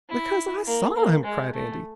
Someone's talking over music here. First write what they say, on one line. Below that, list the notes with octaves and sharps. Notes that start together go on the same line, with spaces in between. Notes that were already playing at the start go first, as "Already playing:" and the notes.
"Because I saw 'em!" cried Andy.
E4
A#3
A#3
G#3
A3